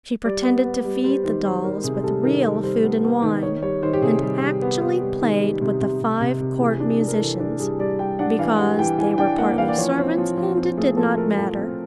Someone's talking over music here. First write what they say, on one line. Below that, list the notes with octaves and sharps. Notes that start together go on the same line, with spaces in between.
She pretended to feed the dolls with real food and wine, and actually played with the five court musicians, because they were partly servants and it did not matter.
G3 D5
B3
B3
G3
G3 C5
D#3 C5
G3 C5
D#3 A#4
C3 G#4
G3 A4
D#3 A#4
G3 A4
G3 C5
B3
B3
D#3
D#3 C#5
G3 C#5
D#3 C5
G4
C3 G#4
G3 G#4
G3
B3
B3
G3
D#3
G3
C3
C3
C3
C3
C3
E3 G#4
D4
G#4
D4
A#4
A4
E3
D4
G3 G#4
G3 D5
G3 G5
D4 F#5
E3 F5
G3 F#5
E3 G5
E3 G#5
D4 G5
A#3 F#5
E3 F5
D5
F3 C#5
C4
F3
F3
C4
A3 G#4
F3 A4
A3 A#4
F3 A4
C4